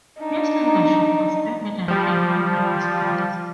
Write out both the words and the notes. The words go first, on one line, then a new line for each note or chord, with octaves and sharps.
His leadership was evident in every aspect.
D4 D#4
F3 G3